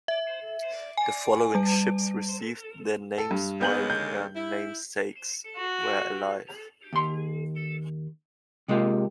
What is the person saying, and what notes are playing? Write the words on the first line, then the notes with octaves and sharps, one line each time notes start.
The following ships received their names while their namesakes were alive.
E5
G#5
G3
A4
G2
D#2 C#3 G#3 B3 G6 F#7
G6
E4
F#4
D#2 C6
C3 G#3 A#3 F4 G4